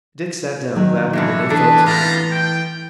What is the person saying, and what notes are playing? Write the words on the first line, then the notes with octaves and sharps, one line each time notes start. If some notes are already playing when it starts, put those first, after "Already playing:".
Dick sat down gladly, and they fell to.
D#3 F#3 A#3
B2 D3 E3 F#4 A4 C#5
E3 D4 G#4 A4 B4
A2 G3 B3 C4 F4 A#5
G5